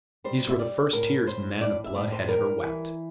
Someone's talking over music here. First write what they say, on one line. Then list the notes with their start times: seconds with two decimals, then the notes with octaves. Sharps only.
These were the first tears the man of blood had ever wept.
0.24 G3 C5
0.49 E5
0.59 G3 D5
0.93 A2 A#4
1.27 A2 C5
1.61 A2 D5
1.84 E5
1.95 A2 D5
2.12 C5
2.29 G3 A#4
2.63 E3